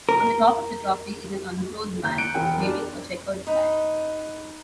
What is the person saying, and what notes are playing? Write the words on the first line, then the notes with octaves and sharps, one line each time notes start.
On the top of the trophy is an unclothed man waving a checkered flag.
A#4
D#2 A#5 G6
F#6 C#7 D7
E1 A#4 G5 G#5
D4 A#4 D5
D#4 B4